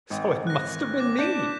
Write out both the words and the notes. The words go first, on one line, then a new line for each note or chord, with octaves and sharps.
So it must have been me!
G#1
F#6 A#6
D6 F#6
D4 G6 B6 E7